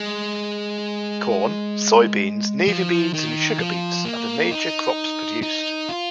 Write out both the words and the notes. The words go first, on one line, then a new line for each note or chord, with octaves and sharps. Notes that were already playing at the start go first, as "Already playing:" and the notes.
Corn, soybeans, navy beans, and sugar beets are the major crops produced.
Already playing: G#3
F3
D#3
F3
A#3
D#4
D#4
F4